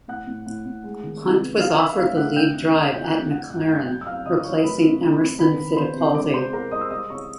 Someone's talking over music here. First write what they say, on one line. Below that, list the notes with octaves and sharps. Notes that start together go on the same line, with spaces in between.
Hunt was offered the lead drive at McLaren, replacing Emerson Fittipaldi.
A2 F#5 F#6
A2
A2
A2
G#3
D#3
C3
B3
C#4 F5 F6
F6
E3 E5 E6
A2 F5 F6
A3 F#5 F#6
D3 G5 G6
F2
D3 G6
G#6
F2 G5 G6
F#6
A3 G5 G6
A3 F#5 F#6
G2 F#5 F#6
G#6
A3 G5 G6
F#6
F#2 G5 G6
E6
F#2 F5 F6
D3 D#5 D#6
F#3 C#5 C#6
A3 B4 B5
C3
C3
C4
D#3 B4 B5
D#3
B5
B3 C5 C6
C3
G#3 D5 D6
C4 C5 C6
B2 A#4 A#5
G#3 D#5 D#6
E6
G3 D#5 D#6
C#3 C#5 C#6